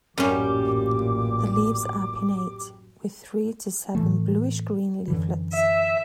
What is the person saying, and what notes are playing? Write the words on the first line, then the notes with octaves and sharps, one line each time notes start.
The leaves are pinnate, with three to seven bluish-green leaflets.
A1 F#2 A#2 G3 C#4 G4 D6
A2 E3 A3
F#2 D3 E3
E5